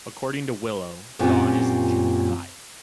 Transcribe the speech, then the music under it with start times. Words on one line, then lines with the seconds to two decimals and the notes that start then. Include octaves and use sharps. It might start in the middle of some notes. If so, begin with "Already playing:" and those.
According to Willow, Dawn is in junior high.
1.19 F#2 A#2 C4 C#4 F4 G4